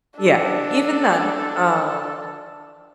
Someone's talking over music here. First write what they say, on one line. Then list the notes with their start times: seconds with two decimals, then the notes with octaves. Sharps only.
yeah, even then, um
0.19 D4 A4